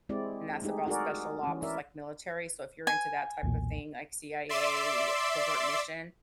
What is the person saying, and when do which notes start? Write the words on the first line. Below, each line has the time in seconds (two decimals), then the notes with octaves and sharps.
and that's about special ops like military, so if you're into that type of thing, like CIA covert mission,
0.09 G#3 C4 E4 G4 D5
0.62 G#3 A3 D#4 G4 G#4
0.87 D#4 F#4 G#4 A#4 D5
1.43 E3 C#4
1.63 E4 A#4 D5 E5
2.87 G#5
3.43 B1 E2 A#2
4.49 D5 E5 C6 D6 E6